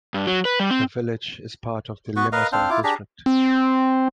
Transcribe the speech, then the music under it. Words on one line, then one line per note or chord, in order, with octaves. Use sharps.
The village is part of the Limassol District.
G2
F#3
B4
G3
C4
B3 F#4 B4 C#6
A#4 B4 D#5 F5
C4 D4 C5 F5
E4 F4 D6
D4 G4 G#4 A#5
C4